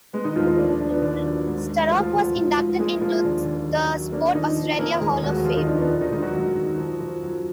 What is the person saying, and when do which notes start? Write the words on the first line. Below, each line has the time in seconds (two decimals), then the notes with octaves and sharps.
Sturrock was inducted into the Sport Australia Hall of Fame.
0.13 G#3 B3
0.24 D#3 D#4
0.36 D#2 F3 F4
0.47 F3 F4
0.58 A#3 D4
0.68 D4
0.79 F3 D4
0.91 B3
1.02 D#2 D4
1.24 F#3
1.47 G#2
1.68 F#3
1.91 D2 F3 F4
2.13 D2
2.35 G#2
2.57 F3
2.79 G#3 A#3 G#4
3.01 F3 A#3 F4
3.24 D#2 D4
3.46 D#2
3.68 F#3
3.91 F#3
4.12 A#3 D4
4.34 D#3 F3 D#4
4.57 F3
4.79 F2 A#3 A#4
5.01 D#2 G#3 G#4
5.23 D#2 F#3 F#4
5.45 F2 F3 F4
5.57 D#3 D#4
5.67 F2 D4
5.79 B3
5.89 A#2 D4
6.01 D#3 D#4
6.11 D#3 G#3 D#4
6.23 F#3 F#4
6.34 F#2
6.57 D#3
6.78 F3
7.00 F3
7.22 F#2